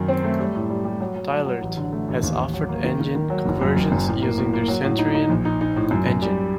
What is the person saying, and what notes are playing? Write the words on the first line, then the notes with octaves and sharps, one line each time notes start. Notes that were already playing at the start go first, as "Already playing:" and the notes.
Thielert has offered engine conversions using their Centurion Engine.
Already playing: F#2 D#3
C4
A3
G3
A2
G3
G3
F#3
F#3
F#3
F#3
A1
D3
A3
A1
D#2
D#2
F#3
A#3
D#3
D#3
D#3
F#3
F#1
F#2
F#1
F#2
A2
A#3
A2
A#3
F#3
A2
D#4
D#4
A#1
D#4
D#4
A2
F#2
F#2
G3